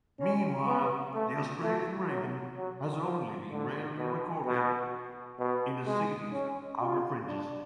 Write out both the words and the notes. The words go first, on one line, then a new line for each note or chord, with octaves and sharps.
Meanwhile, the Australian raven has only been rarely recorded in the city's outer fringes.
C#4
B3
A3
A3
F#3
F#3
F3
D3
B2
B2
B2
G#3
C#4
F4
D4